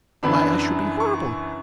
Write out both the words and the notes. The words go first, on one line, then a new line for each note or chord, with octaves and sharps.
Why, I should be horrible!
F#2 C#3 E3 B3 D4 B5
C#6